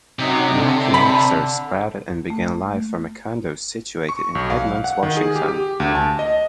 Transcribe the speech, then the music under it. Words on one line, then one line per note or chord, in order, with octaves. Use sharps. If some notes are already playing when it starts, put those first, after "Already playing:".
Mackie Mixers sprouted and began life from a condo situated in Edmonds, Washington.
F#2 C3 F#3 D#4
D3
B5
A3
C#6
B1
F5
F#5
D#3
G#4
G4
G4
D2
A5
D#5